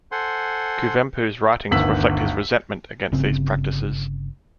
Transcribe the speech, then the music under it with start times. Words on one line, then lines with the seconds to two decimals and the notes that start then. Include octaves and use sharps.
Kuvempu's writings reflect his resentment against these practices.
0.12 A4 C5 F#5 G#5 C6
1.71 G1 D2 D#3 E6 B6 F#7
3.12 G1 C#3 C4